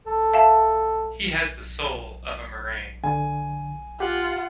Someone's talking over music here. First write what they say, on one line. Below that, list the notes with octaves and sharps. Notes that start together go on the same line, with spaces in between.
He has the soul of a meringue.
A4
E5 F5 A5
D3 G#5
F4 G4 F#5